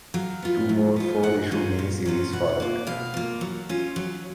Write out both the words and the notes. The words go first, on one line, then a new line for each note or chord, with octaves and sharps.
Two more four-issue miniseries followed.
F#3 F5
B3 F4
F#3
B3 F4
A#2 F#5
F#3 C#4 F4
A#2
F#3 C#4 F4
B2 F#5
A#3 F4
B2 F5
A#3 F4
F#3
C#4 F4
F#3